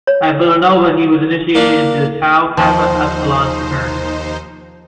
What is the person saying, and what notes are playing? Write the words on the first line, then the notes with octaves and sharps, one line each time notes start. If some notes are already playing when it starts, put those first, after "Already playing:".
At Villanova he was initiated into the Tau Kappa Epsilon fraternity.
C#5
A#3 D4
D#2 F3 D#4 C5